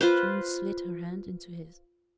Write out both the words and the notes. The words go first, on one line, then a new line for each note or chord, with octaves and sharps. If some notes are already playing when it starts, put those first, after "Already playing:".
June slid her hand into his.
F4 B4 C5